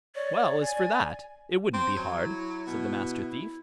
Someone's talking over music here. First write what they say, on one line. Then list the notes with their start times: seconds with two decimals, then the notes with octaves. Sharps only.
'Well, as for that, it wouldn't be hard', said the Master Thief.
0.15 C#5 D5
0.61 G#5
1.74 C4
1.97 F#3
2.21 E4
2.67 B2